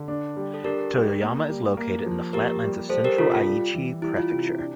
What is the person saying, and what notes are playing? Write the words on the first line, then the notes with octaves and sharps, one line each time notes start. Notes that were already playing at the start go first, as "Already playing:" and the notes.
Toyoyama is located in the flatlands of central Aichi Prefecture.
Already playing: D3
D4
G3
A4
D4 G4 A#4
G3
A#3
G3
A#3
F3
A#3 G4 A#4
G3
G3 A4 C5
G4 A#4
C3 F4 A4
F4
G3
E3
G3 E4
F4
C3 E4
D4